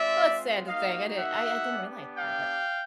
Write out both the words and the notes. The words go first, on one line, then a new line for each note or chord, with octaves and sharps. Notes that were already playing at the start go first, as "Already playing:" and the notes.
it's sad to think, I didn't I I didn't realize that,
Already playing: G#3 C4 F4 D5 E5
A#3 D#4 F#4 D#5 F5
E5 F#5
B3 D4 G4
F5 G5